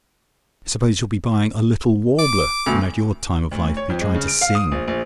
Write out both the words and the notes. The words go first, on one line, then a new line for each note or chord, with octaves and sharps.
I suppose you'll be buying a 'Little Warbler,' and at your time of life, be trying to sing.
D6
D2 B2
D2
C#5
F2
G#3
C#3
D7
F5
D#6
A#1
A#1